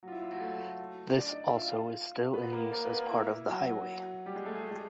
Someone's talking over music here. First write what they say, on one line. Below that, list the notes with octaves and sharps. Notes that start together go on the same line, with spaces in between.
This also is still in use as part of the highway.
F#3 F4 F#4
E4
F4
F#3 F#4
A3 A4
D4 D5
D#4 D#5
E5
F4 F5
B3 B4
A#3 A#4
A#3 A#4
B3 B4
A#3 A#4
E4
F#3 F#4
G3 G4
G#3 G#4
A3 A4
G#4
G4
G#3 G#4